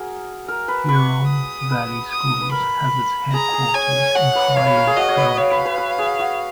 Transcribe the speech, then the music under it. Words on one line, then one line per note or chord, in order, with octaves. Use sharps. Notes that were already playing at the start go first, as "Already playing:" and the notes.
Huron Valley Schools has its headquarters in Highland Township.
Already playing: F#4 G#4 A#4
A#4
B4
B4 C#6
D#6
B4
D#6
B4
A#4 B5
G#4 A#5
G#4
C#5 G#5
C#5 F#5
B4
C#5 F5
B4
A#4
G#4
F#4 D#5
C#5
B4
C#5 F5
B4
B4
B4
G#4
F#4